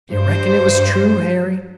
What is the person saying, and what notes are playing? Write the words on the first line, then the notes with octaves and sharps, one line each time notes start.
Do you reckon it was true, Harry?
G2 C5